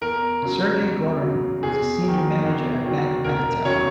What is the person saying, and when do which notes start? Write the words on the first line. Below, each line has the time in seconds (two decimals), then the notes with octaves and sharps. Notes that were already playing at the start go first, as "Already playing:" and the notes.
Sergei Gorin was a senior manager at Bank Menatep.
0.01 E2 A#4
0.42 C#3 F#3
0.82 E2
1.22 C#3 F#3
1.63 E2 G#4
2.03 F#3
2.08 D#3
2.44 E2
2.84 D#3 F#3
3.24 E1 A#4
3.65 D#2 C#3 F#3 C#5